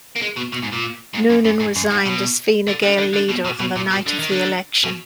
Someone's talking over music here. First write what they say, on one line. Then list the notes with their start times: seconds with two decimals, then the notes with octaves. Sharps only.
Noonan resigned as Fine Gael leader on the night of the election.
0.16 A#3
0.22 G#3
0.36 B2
0.52 B2
0.62 G#2
0.72 A#2
1.14 G#2
1.29 F#2
1.45 F#2
1.60 G#2
1.76 F#2
1.91 G#2
2.06 B2
2.68 D3
2.83 D3
2.98 D3
3.14 D3
3.29 B2
3.45 B2
3.60 B2
3.76 A#2
3.91 B2
4.06 D3
4.19 D#3
4.32 D3
4.84 B2